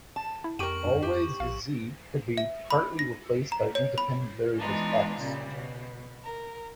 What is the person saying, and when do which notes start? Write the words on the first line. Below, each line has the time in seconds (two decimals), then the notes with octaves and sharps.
Always, "z" could be partly replaced by independent variables "x".
0.16 A5
0.44 E4
0.59 F2 G4 A#4 G5 C#6 D7 D#7 F#7
0.85 G2
1.02 G4
1.40 A#1 F5
2.37 E5
2.71 B5
2.99 A#6
3.52 A#5
3.75 C#5
3.98 B5
4.59 E3 G#3 B3 D4 D#4 F4
5.19 A#2 C#3 G3
5.52 B2
6.23 A#4